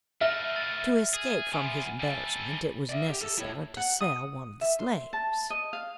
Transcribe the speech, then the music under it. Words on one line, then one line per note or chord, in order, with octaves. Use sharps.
To escape from his embarrassment it was necessary to sell one of the slaves.
A3 B3 E5 F6 A#6
A6
G#4
F3 B3 G#5
G3 A4
D5 E5
G4
A4
E4 C#5
F#5
D#6
E5
C6
A5
D#5
F5